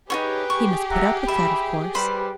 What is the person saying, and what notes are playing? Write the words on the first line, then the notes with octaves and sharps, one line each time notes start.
He must put up with that of course.
D#4 F4 G4 G#4 B4 C#5
C#6
E5 F#5 A#5
E5 B5
G3 B4 C5 B5